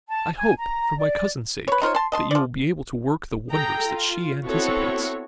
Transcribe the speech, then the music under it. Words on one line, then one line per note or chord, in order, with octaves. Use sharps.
I hope, for my cousin's sake, that you will be able to work the wonders that she anticipates.
A5
G#5
A#5
D5
B4 C#5
D#4 F4 C5 C#5
A5 C6
D#5 A5 C6
F3 D5
G#4 A4 G5 A#5
F4
B3 C4 E4 F#4 A4 C#5